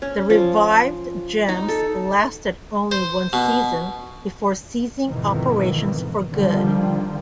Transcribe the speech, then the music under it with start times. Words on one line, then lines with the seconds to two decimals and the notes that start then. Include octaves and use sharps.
The revived Gems lasted only one season before ceasing operations for good.
0.02 C#4
0.30 F3
1.48 D#4
1.68 A4
2.92 C5
3.33 B2
5.06 F2 G#2 B2 D#3 E3
6.32 D3 D#3 F3 G3